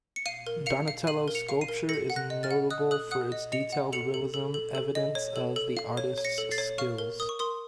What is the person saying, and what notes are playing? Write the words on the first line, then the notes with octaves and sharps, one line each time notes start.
Donatello's sculpture is notable for its detailed realism, evidence of the artist's skills.
C#7
F5 C7 D#7
A#4
F5 C#7 F7
F5
F5 D#7 F#7
A#4
C#7 F7
F5
C7 D#7
A#4
A4 A#6 C#7
F#5
F#6 A#6
D#5
F6 A6
F#5
D#5 D#6 F#6
A4 D#6 F#6
F#5 D#6 F#6
D#5
D#5 C#7 F7
F#5
A4 C#7 F7
A4
A4
A4
A4
D#5
C#5
A4
A4
F5
C#5
C#5
A#6 C#7
A4
A6 C7
C#5
F5 C#6 F6
A#4
A#4 D#6
C#6
A#4 C6 D#6